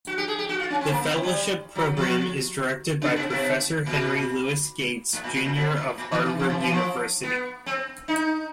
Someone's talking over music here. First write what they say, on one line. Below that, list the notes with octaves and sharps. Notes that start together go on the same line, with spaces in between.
The fellowship program is directed by Professor Henry Louis Gates, Junior of Harvard University.
F#4
G4
G#4
G4
F#4
F4
C#4
C4
A#3
B3
C4
G3
F#3
F3
C#3
B2
B2
A#2
A2
A#2
A2
A#2
B2
A2
A#2
D#3
E3
F3
E3
E3
F3
B3
C4
D#4